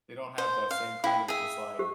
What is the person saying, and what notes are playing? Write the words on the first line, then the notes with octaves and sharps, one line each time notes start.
they don't have that same kind of just, like
C5
F5
E4 F5 G5
G#4 E5
G4